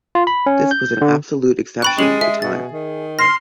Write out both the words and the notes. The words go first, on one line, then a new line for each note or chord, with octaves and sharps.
This was an absolute exception at the time.
F4
B5
C#4
G6
D3
G5 B5 C#6 F#6 A6
G#3 C#4 G4 D#7 F#7
G#4 E5
B2 A6
D#3
C6 F6 A#6 C7